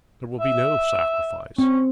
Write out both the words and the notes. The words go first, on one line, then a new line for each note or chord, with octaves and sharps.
There will be no sacrifice.
E5
C4 C#4